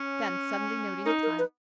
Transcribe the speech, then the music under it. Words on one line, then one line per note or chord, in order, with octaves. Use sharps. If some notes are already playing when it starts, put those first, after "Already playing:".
Then, suddenly noting the time.
Already playing: C#4
D#4 A#4
A#4
B4